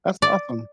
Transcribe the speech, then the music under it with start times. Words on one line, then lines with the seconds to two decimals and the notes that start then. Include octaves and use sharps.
that's awesome.
0.22 D5